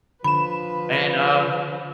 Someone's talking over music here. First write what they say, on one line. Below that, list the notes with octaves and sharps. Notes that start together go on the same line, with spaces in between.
And, uh
D3 F3 B4 B5 E7